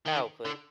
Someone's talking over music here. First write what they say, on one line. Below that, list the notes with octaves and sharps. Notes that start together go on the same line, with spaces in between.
Oh, please.
D#3
D3